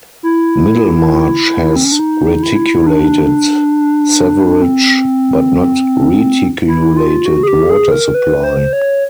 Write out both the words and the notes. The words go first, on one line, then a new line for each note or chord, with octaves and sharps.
Middlemarch has reticulated sewerage but no reticulated water supply.
E4
C4
C#4
D4
D#4
E4
D4
C4
E4
F4
F#4
G#4
G4
G#4
A#4
B4
C5
C#5